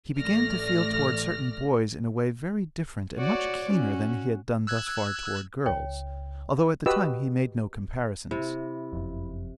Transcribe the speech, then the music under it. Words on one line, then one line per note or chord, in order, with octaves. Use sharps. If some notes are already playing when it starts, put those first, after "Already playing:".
He began to feel toward certain boys in a way very different and much keener than he had done thus far toward girls, although at the time he made no comparisons.
A1 A3 D5 F6 A#6
F#4 C#5 D5
C#4 F#4
E6 F#6 G#6
C#2 C#5 G5
F#4 G4 B4 D#5 E6
C3 E4
F#1 F2